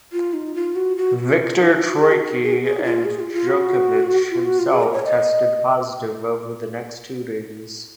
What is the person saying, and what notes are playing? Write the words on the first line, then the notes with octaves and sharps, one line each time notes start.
Viktor Troicki and Djokovic himself tested positive over the next two days.
F4
D#4
F4
F#4
F#4
F#4
F4
D#4
F4
F#4
G#4
F#4
D#4
G#4
F#4
G#4
D#4
F4
G#4
F4
F4
F#4
F4
F#4
F4
G#4
A#4
C#5
D#5